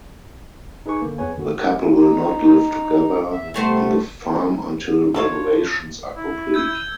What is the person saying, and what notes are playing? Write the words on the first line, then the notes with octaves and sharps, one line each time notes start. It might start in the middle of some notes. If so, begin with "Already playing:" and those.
The couple will not live together on the farm until renovations are complete.
D#4 G#4 B4 G#5 C#6 D6
D3 A#3
F2 B3 G#4 B4 C#5 G#5
D3 A#3 F#4
D#4
E2 E5
C3 G3 A3 B3 C5
A3 D4 D#4 F4 C#5 F5
E4
E6 G6 G#6